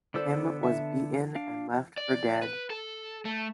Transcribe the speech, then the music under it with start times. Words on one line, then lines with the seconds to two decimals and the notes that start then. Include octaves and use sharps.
Kim was beaten and left for dead.
0.14 D3 B3 A4 C5 D5 E6
0.63 E5 A5
1.36 D4 F5
1.97 D5
2.42 B4
2.70 A4
3.25 A3